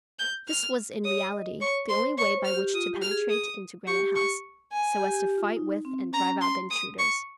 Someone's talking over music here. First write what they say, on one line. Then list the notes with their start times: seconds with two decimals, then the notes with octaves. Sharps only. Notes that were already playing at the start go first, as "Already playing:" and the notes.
This was in reality the only way by which to penetrate into Granite House so as to fight with and drive out the intruders.
0.19 G6
0.48 F6
1.04 C#5 D#6
1.32 D#5
1.60 C#5 C#6
1.89 C5 C6
2.17 C#5 C#6
2.36 C5
2.45 F6
2.54 G4
2.74 F4 D#6
2.93 G4
3.02 F6
3.11 G#4
3.30 D#6
3.87 G4 C#6
4.16 C#6
4.72 G#5
5.00 G4
5.19 G4
5.38 F4
5.57 D#4
5.85 C4
6.13 C#4 A#5
6.41 C6
6.70 D#6
6.99 C#6